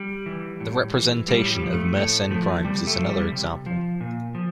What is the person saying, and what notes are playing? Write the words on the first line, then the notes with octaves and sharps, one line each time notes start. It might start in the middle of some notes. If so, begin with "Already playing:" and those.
The representation of Mersenne primes is another example.
Already playing: G3
E3
A2
E3
A2 G3
G3
F3
A3
A2 A3
F3 A3
C3 G3
A3
F3
G3
C3
F3
A#2
F3